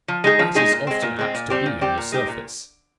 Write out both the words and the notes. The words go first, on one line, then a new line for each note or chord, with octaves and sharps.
That is often apt to be on the surface.
F3
G#3 D#4 G#4
F3
G#3 D#4 G#4
A#2
G#3 C4
A#2
G#3 C4
A#2
G3 C4 G4
A#2
G3 C4 G4
A#2
G#3 D#4 G4
A#2